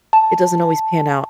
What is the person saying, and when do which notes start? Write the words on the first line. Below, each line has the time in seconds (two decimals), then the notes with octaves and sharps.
it doesn't always pan out
0.13 A5